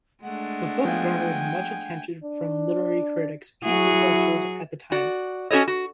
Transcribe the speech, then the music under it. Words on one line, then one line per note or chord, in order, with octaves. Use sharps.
This book garnered much attention from literary critics and intellectuals at the time.
G#3 A3 D4 F#5
F3 B3 F4 G5 G#5
D4
F#3 E4 F#4 G#4
F#4 D5
C#4 F#4 A4 C#5 D#5
F#4